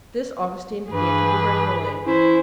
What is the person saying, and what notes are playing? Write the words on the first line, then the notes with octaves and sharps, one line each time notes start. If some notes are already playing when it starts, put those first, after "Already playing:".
This Augustine began to do regularly.
G2 E3 G#4 B4
E3 C#4 E4 C5